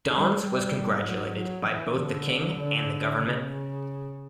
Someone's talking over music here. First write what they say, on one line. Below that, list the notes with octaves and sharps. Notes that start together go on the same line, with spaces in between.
Dons was congratulated by both the King and the government.
G3
G3
F#3
F#3
E3
D3
D3
C#3